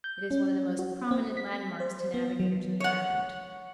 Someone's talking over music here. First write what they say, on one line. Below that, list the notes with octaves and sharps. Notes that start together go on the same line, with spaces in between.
It is one of the most prominent landmarks to navigators in the island.
G6
C#4
F#4
C4
B6
C5
B3
F#3
C#5 F#5